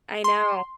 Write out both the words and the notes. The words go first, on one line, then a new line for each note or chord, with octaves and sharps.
I know.
C6